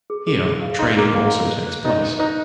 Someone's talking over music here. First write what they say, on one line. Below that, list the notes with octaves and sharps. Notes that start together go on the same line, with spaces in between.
Here training also takes place.
G#4
G#4
G#4
F5
D#4 C6
A#3 G#4
F5
F5
C5
C5
D#4 D#5
C5
D#4 C5